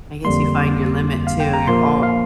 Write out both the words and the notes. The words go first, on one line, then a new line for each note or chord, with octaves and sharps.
I guess you find your limit, too, you're all
F2 D3 G3 A#3 C6
D6
F5
G5
A#5
A#2 F3 A#3 C6
F5